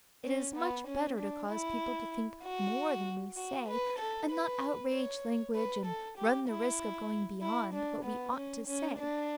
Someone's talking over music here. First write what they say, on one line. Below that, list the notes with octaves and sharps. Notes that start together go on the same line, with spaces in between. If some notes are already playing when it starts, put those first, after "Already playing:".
It is much better to cause people to think more than we say, and not outrage language, and run the risk of going beyond what we ought to say.
C#4
B3
C#4
D4
E4
F#4
F#4
B4
A4
B4
C#5
B4
A4
G4
E4
E4
D4
B3
C#4
C#4
D4